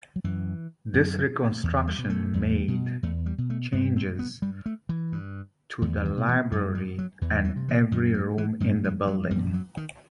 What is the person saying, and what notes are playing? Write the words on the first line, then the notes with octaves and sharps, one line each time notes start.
This reconstruction made changes to the library and every room in the building.
F#3
F#2 E3
F#2
E2
G3
B2
A3
E2
B2
E2 A3
G3
B2
A3
G2 B3
C4
B3
G2 G3
A3
E3
G2
E2 D#3
D#3
B2
E3
F#2 A3
G3
F#3
E2 E3
E3
C3
E3
F#2 D#3
F#3
E3
G2 D#3
E3
F#3
F#2 G3
F#3
D#3